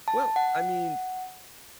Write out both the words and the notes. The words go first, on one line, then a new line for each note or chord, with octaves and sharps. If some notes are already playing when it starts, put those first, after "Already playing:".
Well, I mean,
A5
F#5